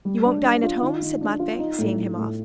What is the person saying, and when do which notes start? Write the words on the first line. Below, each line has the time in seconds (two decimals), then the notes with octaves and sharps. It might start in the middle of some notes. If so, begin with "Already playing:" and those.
"You won't dine at home?" said Matvey, seeing him off.
0.05 G3
0.25 D4
0.44 D4
0.63 F4
0.82 D#3
1.01 D#3
1.21 D4
1.39 F4
1.59 D#4
1.79 A2
1.97 A2
2.17 A2